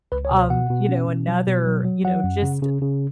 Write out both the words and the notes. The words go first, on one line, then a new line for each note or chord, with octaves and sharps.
um, you know, another, you know, just
C#2 B4
C#5
B2
C#5
B2 F#5
B2
C#4
B2
F#3
B2
F#3
F#3
F#3 F#5
F#2
C#3
C#3
C#3